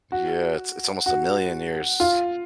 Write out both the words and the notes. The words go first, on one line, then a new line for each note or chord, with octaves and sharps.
Yeah, it's it's almost a million years.
F#4
F#4
F4